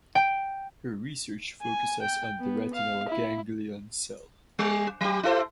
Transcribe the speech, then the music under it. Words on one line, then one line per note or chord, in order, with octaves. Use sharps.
Her research focuses on the retinal ganglion cell.
G5
G#5
G5
B3
F5
E4
G3
F#3 G4
E4 A4 C5